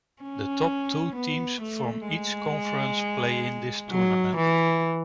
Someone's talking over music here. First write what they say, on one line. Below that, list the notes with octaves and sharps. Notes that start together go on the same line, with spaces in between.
The top two teams from each Conference play in this tournament.
C#4
B3
A3
G#3
F#3
E3